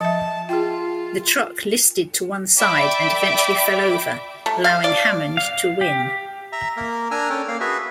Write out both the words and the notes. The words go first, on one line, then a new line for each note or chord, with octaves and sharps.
The truck listed to one side and eventually fell over, allowing Hammond to win.
F3 E5 A5
F4 G#4 G5
D5 E5 G5 B5 D6
A3
F5
D5
F5
G4
E5 A#5
A#3 A#4
D4 A#4 G#5 E6 F6
C#4 A4 G5
A#3 F5
F#4 G#4 B4 E5